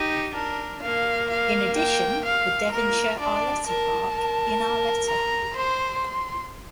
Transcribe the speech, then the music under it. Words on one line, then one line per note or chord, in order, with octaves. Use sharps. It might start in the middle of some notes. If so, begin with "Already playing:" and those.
In addition the Devonshire Arleta Park in Arleta.
Already playing: D#4 G4
D4 A#4
A#3 F5
F5
G5
F5
A#3 A#4
D4 D5
A#4 A5
A#4
A#5
C5 C6